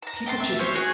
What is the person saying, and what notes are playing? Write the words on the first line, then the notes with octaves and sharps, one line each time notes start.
people just
A5 A#5
G5 A5 C6
E5
C#4 C5 C#5
F#4 G#4